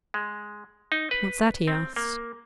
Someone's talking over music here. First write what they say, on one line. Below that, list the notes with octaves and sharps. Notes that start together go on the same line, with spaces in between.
"What's that?" he asked.
G#3
D#4
B4
C4
A#3